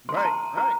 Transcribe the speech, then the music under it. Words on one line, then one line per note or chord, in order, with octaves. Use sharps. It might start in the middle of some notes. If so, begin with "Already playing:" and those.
Right. Right.
C6
A#5
A5
A#5